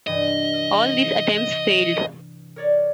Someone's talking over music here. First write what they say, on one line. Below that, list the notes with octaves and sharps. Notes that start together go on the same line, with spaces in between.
All these attempts failed.
G2 C3 E3 D#5
A#4 C#5 D5